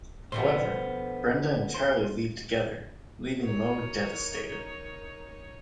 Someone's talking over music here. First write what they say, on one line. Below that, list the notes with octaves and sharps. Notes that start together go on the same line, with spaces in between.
However, Brenda and Charlie leave together, leaving Mo devastated.
B2 D3 F3 B3 C5
C5
D#4 A#4 C#5